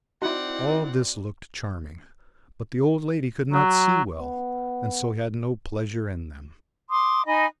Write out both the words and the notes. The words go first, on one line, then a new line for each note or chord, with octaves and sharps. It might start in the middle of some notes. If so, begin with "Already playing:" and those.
All this looked charming, but the old lady could not see well, and so had no pleasure in them.
C4 D#4 E4 F#4 D5 F#5
F#3
B3
C6 D6 D#6
D#4 D#5 G#5 B5